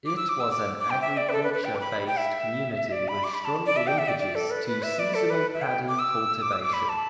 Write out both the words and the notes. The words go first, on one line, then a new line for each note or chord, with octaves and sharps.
It was an agriculture-based community with strong linkages to seasonal Paddy cultivation.
D6
E6
D6
E6
D6
D6
G5
E5
D5
B4
A4
B4
B4
G5
D6
B5
G5
E5
D5
B5
D6
B5
A5
D5
E5
G5
E5
D5
D5
A4
B4
B4
E5
D5
A4
B4
E5
G5
D6
E6
D6
E6
D6
B5
A5